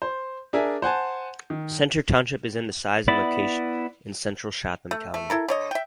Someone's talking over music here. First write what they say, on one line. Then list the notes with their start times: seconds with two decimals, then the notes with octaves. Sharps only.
Center Township is in size and located in central Chatham County.
0.02 C5
0.53 D4 G#4 A#4 D5 E5 G#5
0.82 C5 F#5 G#5 A5
1.50 D#3
3.08 B3 E4 D5 B5
4.91 A3
5.14 A3
5.30 E4 A4 A#4
5.48 D3 C#5 D#5
5.71 E5 G5